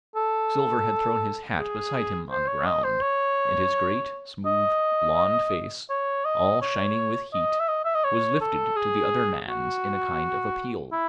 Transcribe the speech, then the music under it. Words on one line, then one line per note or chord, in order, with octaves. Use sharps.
Silver had thrown his hat beside him on the ground, and his great, smooth, blond face, all shining with heat, was lifted to the other man's in a kind of appeal.
A4
G#4
C5
C#5
D#5
C5
C#5
D#5
C#5
D#5
C#5
D#5
E5
D#5
E5
D#5
C#5
A4
G#4
F#4
E4